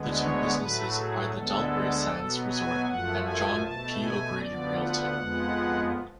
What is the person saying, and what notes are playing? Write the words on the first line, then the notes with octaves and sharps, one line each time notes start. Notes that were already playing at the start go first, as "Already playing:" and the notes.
The two businesses are The Delray Sands Resort and John P O'Grady Realty.
Already playing: D2 D3 G#3 B3
C#5
A2 F#3 A3 B4
G#4
D2 D3 G#3 B3 A4
B2 F#3 B3
G#5
F#2 F3 A3 F#5
G#5
B2 A3 A5
G#5
D2 D3 F3 B3 D5
F#5
F2 F3 G#3 B3